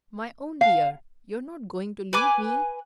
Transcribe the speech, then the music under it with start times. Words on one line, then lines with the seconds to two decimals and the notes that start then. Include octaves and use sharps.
"My own dear, you're not going to leave me!"
0.61 F5
2.13 B4 G#5 D6